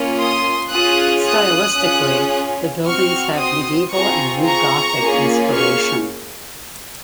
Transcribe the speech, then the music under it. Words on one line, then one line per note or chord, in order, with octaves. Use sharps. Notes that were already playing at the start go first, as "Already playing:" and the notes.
Stylistically the buildings have Medieval and New Gothic inspiration.
Already playing: A#3 C#4 F4
C6 D#6
C#4 F4 G#4 D#6 F#6
D#6 F#6
C#4 F4 G#4
C4 F#4 C#6 F6
C6 D#6
C4 F4 G#4 A#5 C#6
A#5 C#6
A#3 C#4 F4 G#4
C#6 F6